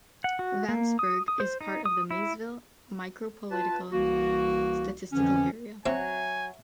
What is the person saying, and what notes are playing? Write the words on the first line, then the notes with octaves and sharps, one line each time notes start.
Vanceburg is part of the Maysville Micropolitan Statistical Area.
F#5
F#4
A#3
D#6
D#6
C5
D#4
D#6
E4
F4 B4 A5
C2 E3 A#3 F#4
F2 D3 E3 F3 C#4
F#3 C4 F#4 C#5 E5 G#5